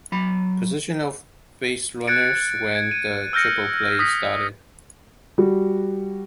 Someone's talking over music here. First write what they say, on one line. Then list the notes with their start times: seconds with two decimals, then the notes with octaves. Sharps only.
Position of baserunners when the triple play started.
0.12 F#3 B5
2.07 F#6 G#6 A6 C#7 D7
2.75 G#6
2.91 D#7
3.33 E6 F6 G6 A#6 C#7
3.99 D#6 A#6 B6
5.38 G3 F#4